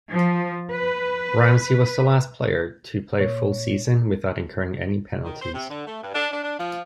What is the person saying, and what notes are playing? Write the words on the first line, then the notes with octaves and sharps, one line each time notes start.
Ramsay was the last player to play a full season without incurring any penalties.
F3
B4
A#2 C#5
D#3
C5
C3
D3
A3
G2
D4
D4
D4
F3